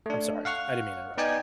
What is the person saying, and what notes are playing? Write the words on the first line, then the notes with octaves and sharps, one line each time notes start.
I'm sorry, I didn't mean to interrupt.
A3 D4
F5 F#5 C#6 F6
B3 D#4 D5 G5 G#5